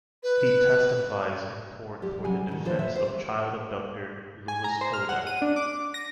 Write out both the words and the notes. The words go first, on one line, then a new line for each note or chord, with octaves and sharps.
He testifies in court for the defense of child abductor Lewis Hoda.
B4
G3 G4
C#3 F#3 G3 G#5
A2 C3 D#3
D3 E3 F4 A4 C5
E5
G3 C5
G#5
A#5
C5
F6
F#5
D#7
D4
D6
A#6